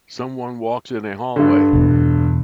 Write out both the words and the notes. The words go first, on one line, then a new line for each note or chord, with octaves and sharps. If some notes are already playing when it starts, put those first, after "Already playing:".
Someone walks in a hallway.
G2 D3
E2 B2